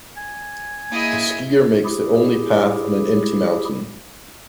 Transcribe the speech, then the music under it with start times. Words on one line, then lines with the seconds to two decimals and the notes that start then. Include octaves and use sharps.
A skier makes the only path on an empty mountain.
0.17 G#5
0.91 A#3 E4 G#4 D#5
1.85 E4 G4 G#4